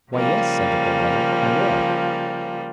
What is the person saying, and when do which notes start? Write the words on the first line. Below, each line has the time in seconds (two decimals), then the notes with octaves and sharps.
"Why, yes," said the Poor Brother, "I will."
0.12 C#3 F3 G3 A#3